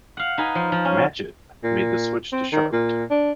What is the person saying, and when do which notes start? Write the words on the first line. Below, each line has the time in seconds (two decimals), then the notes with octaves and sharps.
Matchett made the switch to Charlotte.
0.17 F5 F#5
0.38 D#4 B4 G#5
0.55 F3
0.72 F3
0.85 C#4
1.64 A#2
2.32 C4
2.52 D#3
2.73 A#2
3.10 D4